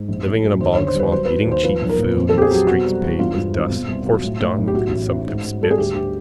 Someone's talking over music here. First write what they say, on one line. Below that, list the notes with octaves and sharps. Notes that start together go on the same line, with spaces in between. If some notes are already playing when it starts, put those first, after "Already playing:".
Living in a bogswamp, eating cheap food and the streets paved with dust, horsedung and consumptives' spits.
Already playing: G#2
A#1
A2
F#3
D#2 C5
D3 C#5
C5
G3 B4
F#3 C5
F#3 B4
D#2 C5
F3 B4
B1
A#4
A#2
F2
A4
F2 G4
G#4
F#3 G4
B2 F#4
G3
E2
G2 F4
G2
G#1
B2
C2
F#3
A2
A2
B1
G4
A2 F#4
A1
A1
G#2
G#2
G3 A4
G#4
D2 G4
D2 G4